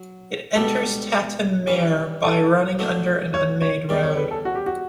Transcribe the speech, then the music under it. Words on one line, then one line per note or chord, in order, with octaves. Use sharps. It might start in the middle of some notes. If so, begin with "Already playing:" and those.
It enters Tatton Mere by running under an unmade road.
Already playing: F#3
C#2 B2 G3 D4 A4
G2 E3 G3 C#4
A4
F#3 A3 D4
C#5
C#5
E2 C#3 G3 D5
C#5
B4
A4
F#4
G4
F#4